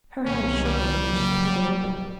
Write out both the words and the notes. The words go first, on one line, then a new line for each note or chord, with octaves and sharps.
Her hand shook a little as she pulled it open.
C2 C3 D#3 F#3 C#4
G3
F2 C#3 F#3 A#3